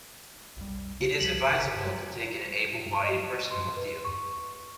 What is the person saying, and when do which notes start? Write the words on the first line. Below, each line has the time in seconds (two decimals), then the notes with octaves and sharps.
It is advisable to take an able-bodied person with you.
0.57 B1 F2 G3
1.00 C#3
1.20 C#2 F3 G3 B6 F#7
1.41 F#1 C3
1.59 G1
3.04 D#5
3.51 C6
3.76 B4
4.05 C#6